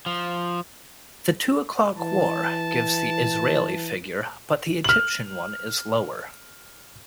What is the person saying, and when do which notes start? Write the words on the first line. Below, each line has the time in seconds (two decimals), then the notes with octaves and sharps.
"The Two O'Clock War" gives the Israeli figure but the Egyptian one is lower.
0.06 F3
1.98 E3 A5
4.84 F6 F#7